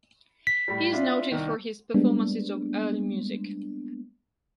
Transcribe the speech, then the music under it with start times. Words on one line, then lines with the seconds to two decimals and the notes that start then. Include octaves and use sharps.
He is noted for his performances of early music.
0.47 B6
0.68 A2 G3
0.93 D4 E4 F4
1.32 C2 D#3
1.94 G3 G#3 A#3 B3 D4